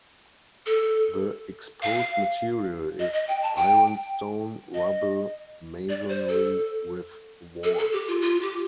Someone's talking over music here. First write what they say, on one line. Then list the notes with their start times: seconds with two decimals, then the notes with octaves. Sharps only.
The exposed material is ironstone rubble masonry, with walls.
0.66 A4
1.82 F5
2.99 D#5
3.13 D#5
3.28 G5
3.42 A5
3.56 G5
4.74 D#5
5.89 D5
6.09 C5
6.29 A4
7.63 A4
7.78 A4
7.93 G4
8.08 F4
8.22 F4
8.42 G4